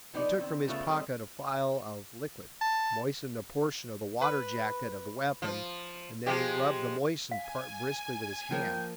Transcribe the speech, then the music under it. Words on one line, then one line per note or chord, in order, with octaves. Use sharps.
He took from his pocket a phial of liquid, moistened a portion of the water-jacket of the weapon, and then rubbed the moistened part briskly with his hand.
F3 B3 D#4 D5
D#3 C4
C#3 A3 B3 F4 C#5 E5
G3 C4 A4 B4 D5 D#5
A5
B4
F3
F3 G#3 G4
F5 G#5
F3 A#3 G5